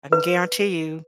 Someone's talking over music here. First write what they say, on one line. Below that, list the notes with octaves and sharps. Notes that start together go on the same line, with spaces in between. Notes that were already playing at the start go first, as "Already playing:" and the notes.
I can guarantee you,
B4